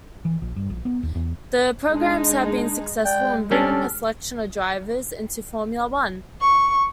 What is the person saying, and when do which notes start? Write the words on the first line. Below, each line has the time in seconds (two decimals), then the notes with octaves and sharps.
The programs have been successful in bringing a selection of drivers into Formula One.
0.25 E3
0.42 A#1
0.56 G2
0.70 A#1
0.85 B3
1.03 D#2
1.15 E2
1.93 G#3 D4 D#4 G#4
3.04 G#3 D5 G5
3.51 G3 C#4 D4 A4 F6
6.41 C#6